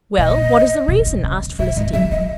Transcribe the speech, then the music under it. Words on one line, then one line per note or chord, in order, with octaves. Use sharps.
"Well, what is the reason?" asked Felicity.
A#2 D#5
B2
D#3
C#3
A#2 E5
G#2 D#5
F#3 E5
E3 D#5